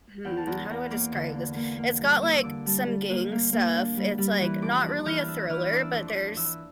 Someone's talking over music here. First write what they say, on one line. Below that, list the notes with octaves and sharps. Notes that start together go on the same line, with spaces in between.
hmm, how do I describe this? It's got, like, some gang stuff, it's, like, not really a thriller, but there's
E2 G5
A5
E2 A#5
E2 A#5
A#3 D6
D3
A#3
A#3
A#3
G3
A#3 E6
D3 D6
G3 A5
G3
A#3
A#3
A#3
D4
G3
G3
E3
F2 D6
D4
E3 F6
D4 E6
E3 F6
D4 D6
E6
F2
D6
D4
E3 E6